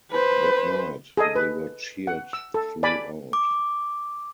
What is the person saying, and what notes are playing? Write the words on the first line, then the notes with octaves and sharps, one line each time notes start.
That night, they were cheered throughout.
B4 C5
G#4 A4 D#5
B4
F#5
E6
A4
D5 G#5 B5
D6